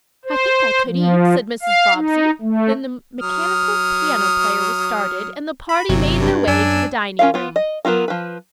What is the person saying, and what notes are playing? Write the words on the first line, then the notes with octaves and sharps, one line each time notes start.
"I think I could eat," said Mrs. Bobbsey, then the mechanical piano player was started, and the party made their way to the dining room.
C5
F3
F5
D#4
A3
F#3 D#6 F6
B5
G1 C3 F#3
G2
F#2 D4 G#5 E6
C#4 F4 A#4 F5
B3 F4
D#5
F#3 B3 F4 A#4
F3 B4